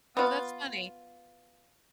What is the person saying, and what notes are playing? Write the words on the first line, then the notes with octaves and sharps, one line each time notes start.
Oh, that's funny.
B3 F4